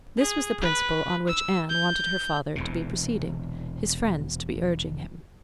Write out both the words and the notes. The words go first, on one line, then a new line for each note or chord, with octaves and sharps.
This was the principle on which Anne wanted her father to be proceeding, his friends to be urging him.
G#4
B4
E6
G6
E1 E2 C3